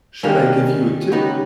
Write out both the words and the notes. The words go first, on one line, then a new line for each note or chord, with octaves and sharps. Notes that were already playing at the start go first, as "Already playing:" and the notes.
Shall I give you a tip?
D#3 G3 A#3 B3 C#4 G4
C#3 G#3 B3 C#4 D#4 G4